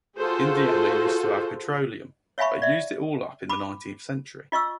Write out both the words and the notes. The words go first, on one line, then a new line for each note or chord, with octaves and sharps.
Indiana used to have petroleum but used it all up in the nineteenth century.
F4 F#4 G#4 A4 C5
C#5 E5 F5 G#5 B5 C#6
D5 E5
B5 D6
F4 D#5 C#6 E6